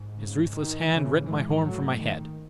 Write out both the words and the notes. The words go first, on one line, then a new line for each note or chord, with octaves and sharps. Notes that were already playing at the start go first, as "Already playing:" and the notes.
His ruthless hand rent my horn from my head.
Already playing: G#2
C#3
D#3
G#2 C#3 E3
E3 G#3
F#3 A3
D#3